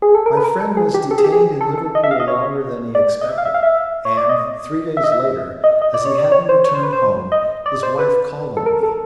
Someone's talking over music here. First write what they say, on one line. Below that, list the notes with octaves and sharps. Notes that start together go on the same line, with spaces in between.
My friend was detained in Liverpool longer than he expected; and, three days later, as he hadn't returned home, his wife called on me.
G#4
A4
A#4
B4
A#4
A4
G#4
G4
A4
G#4
G4
G#4
A4
A4
D#5
E5
F5
D#5
C#5
D5
D#5
E5
F5
E5
F5
E5
C#5
D5
D#5
E5
D#5
E5
D#5
D#5
D5
C#5
D5
C#5
C5
C#5
C5
B4
C5
D#5
D5
C5
B4
A4
A#4
A4